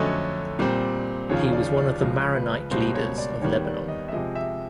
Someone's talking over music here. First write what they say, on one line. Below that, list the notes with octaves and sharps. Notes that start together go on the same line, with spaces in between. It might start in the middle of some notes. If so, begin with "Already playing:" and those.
He was one of the Maronite leaders of Lebanon.
Already playing: F2 D3 F#3 A3 C#4 D#5
A#2 G3 C4
D#2 C#3 F3 C#5
D5
D5
C#2 C#3 F3
B4
C#2 B2 G3 A#3 C5
C#5
D5
D#2 D#3 G3 B3 C#5
D5
D#5
E5
C3 F3 G#3 D#5
E5